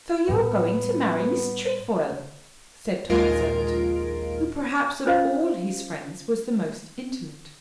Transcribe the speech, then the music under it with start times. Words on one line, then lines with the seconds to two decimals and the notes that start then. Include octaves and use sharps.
"So you're going to marry Miss Trefoil," said Tom Surbiton, who perhaps of all his friends was the most intimate.
0.29 A2 G3 B3
3.10 A#1 D#2 G#3 F4 A#4 D7
5.06 C#4 F4 C5 D#5 F5